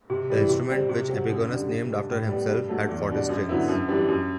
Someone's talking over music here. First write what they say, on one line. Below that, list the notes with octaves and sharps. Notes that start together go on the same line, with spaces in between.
The instrument, which Epigonus named after himself, had forty strings.
C3
E3 G3
C3
G3 C4
C3
F#3 C4
F#2
D3 G3
C3
G3 D4
A2
G3 B3
G2
F#3 A3
E2
B2 G3 D4
F#2
D3 F#3 B3 E4
F#2
E3 G3 D4
F#2